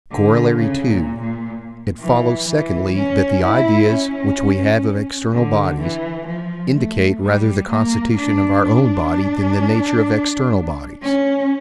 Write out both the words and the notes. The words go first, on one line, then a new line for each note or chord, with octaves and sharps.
Corollary II.--It follows, secondly, that the ideas, which we have of external bodies, indicate rather the constitution of our own body than the nature of external bodies.
D3
C#3
A#2
A#2
E3
E3
C#4
E4
C#4
D3
E3
F3
A3
G3
A#3
D4
D4
C#4